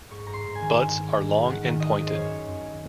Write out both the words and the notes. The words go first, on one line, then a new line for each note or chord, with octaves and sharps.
Buds are long and pointed.
G#2 C#6
G#2 A#5
C6
G#2
G#5
D#3
G#2
G#2
G#2
D#3
D#3 F#5
D#3
G#2 D#5
D#3
C5
F#2 C#5
F#2
F#2